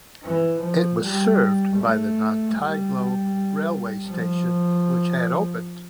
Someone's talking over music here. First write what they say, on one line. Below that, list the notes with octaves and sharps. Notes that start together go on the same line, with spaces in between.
It was served by the Nantyglo railway station which had opened.
E3
F3
G3
A3
G3
F3